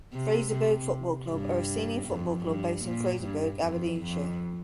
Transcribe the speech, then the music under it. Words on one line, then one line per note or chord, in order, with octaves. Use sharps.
Fraserburgh Football Club are a senior football club based in Fraserburgh, Aberdeenshire.
C3
C3
G2
F2
G2
A#2
G2
F2
F2